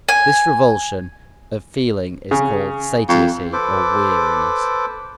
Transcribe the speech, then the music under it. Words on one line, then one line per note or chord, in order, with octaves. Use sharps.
This revulsion of feeling is called satiety or weariness.
G#5
C#3
F2
A4 B4 C5 D6